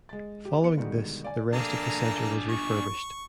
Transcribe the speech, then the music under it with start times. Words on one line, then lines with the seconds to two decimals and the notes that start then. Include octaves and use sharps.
Following this the rest of the centre was refurbished.
0.09 G#3 A6
0.45 G4
0.62 B3 B4 C#7
0.77 G#2 B2 D3 D#3 G3 G#3
1.24 D5 G#5
1.53 A#3 D4 G#4 A4 A#5
2.49 C#6